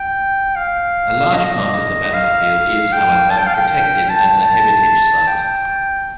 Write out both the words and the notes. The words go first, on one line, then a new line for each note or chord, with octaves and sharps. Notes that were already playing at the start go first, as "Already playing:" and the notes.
A large part of the battlefield is, however, protected as a heritage site.
Already playing: G5
F5
D#5
F5
G5
A5
G5
F5
G5
A5
G5